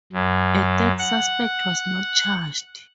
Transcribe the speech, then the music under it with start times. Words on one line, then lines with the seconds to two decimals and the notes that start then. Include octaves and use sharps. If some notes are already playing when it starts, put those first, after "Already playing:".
A third suspect was not charged.
0.13 F#2
0.99 F#5